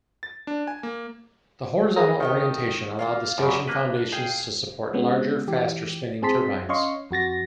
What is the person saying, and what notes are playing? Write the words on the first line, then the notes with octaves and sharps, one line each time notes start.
The horizontal orientation allowed the station foundations to support larger, faster spinning turbines.
A6
D4
G#5
A#3
D#4 G#4 A#4
D#3 A3 G4 D#5
A#3 F4 F5
F#2 C#3 D5
A#3 D4 B4
G#4 F5 G5
G#3 B3 C#4
E3 G4
C4 G#4 A5 C6 B6
C#4 C#5 D#5 F5 C6 C#6
F2 F#4 A6 A#6